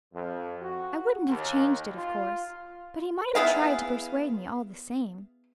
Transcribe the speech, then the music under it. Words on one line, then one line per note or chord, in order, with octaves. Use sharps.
I wouldn't have changed it, of course; but he might have tried to persuade me all the same.
F2
F#4
D#2
F4
B3 E4 G#4 F5